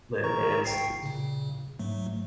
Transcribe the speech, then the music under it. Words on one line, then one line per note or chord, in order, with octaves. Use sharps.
My man's
A#4 A#5 C#6
G#1 G5 C7
A#2 C#3
G#2 F#3 A3